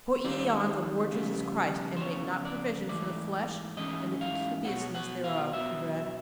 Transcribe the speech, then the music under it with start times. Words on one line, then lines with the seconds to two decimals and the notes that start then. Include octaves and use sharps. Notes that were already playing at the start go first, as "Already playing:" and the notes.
"Put ye on the Lord Jesus Christ, and make not provision for the flesh and the concupiscence thereof," he read.
0.24 D#3 G3 C4 F4 D5
1.13 F2 C#3 G3 B3
1.97 C5
2.00 F2 C#3 B3 C#5
2.45 D5
2.88 G#2 E3 A3 D5
3.77 G#2 E3 A3 C#4 D#5
4.21 F5
4.65 B2 F#3 B3 F#5
4.95 F#5
5.24 F5
5.53 B2 F#3 B3 E5